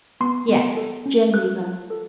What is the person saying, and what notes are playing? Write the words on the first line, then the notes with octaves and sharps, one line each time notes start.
Yes, Jem knew her.
B3 C6
B3
A4
C#4
A4 F#6
F4
A4